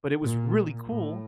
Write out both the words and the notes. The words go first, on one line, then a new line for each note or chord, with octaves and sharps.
But it was really cool,
A#2
A2